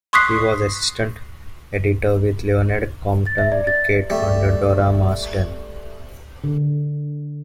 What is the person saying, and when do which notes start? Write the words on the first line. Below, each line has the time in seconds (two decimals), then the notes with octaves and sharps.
He was assistant editor with Leonard Compton-Rickett under Dora Marsden.
0.13 C6 C#6 D#6 F#6 B6 C7
3.26 A6
3.38 E5
3.52 D5
3.67 A6
4.10 G3 A3
6.44 D3